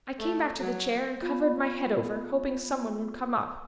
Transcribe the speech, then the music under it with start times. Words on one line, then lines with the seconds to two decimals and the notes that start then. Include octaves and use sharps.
"I came back to the chair and covered my head over, hoping some one would come up."
0.19 A3
0.59 F#3
1.22 B3 F4